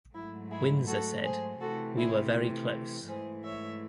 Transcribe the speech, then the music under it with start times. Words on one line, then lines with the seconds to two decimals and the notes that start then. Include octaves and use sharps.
Windsor said, We were very close.
0.15 G#2 F#3 A3 E4
0.51 E4 G#4
0.87 F#4 A4
1.24 G#4 C5
1.61 C3 E3 A3 F#4 A4
1.98 E4 G#4
3.08 G#2 E3 A3 G#4 C5
3.45 C#5 E5